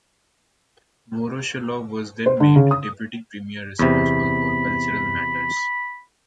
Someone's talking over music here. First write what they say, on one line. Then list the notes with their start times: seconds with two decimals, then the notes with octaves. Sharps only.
Voroshilov was then made Deputy Premier responsible for cultural matters.
2.26 C5
2.40 D3
2.56 C#3
2.71 D#6
3.79 E2 C3 B5